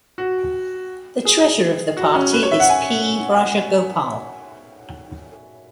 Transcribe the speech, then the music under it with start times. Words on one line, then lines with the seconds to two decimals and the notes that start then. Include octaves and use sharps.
The treasurer of the party is P. Rajagopal.
0.18 F#4
1.25 G#4
1.97 F#4
2.15 C#4
2.33 B4
2.43 C#5
2.52 E5
2.60 F#5
2.69 G#5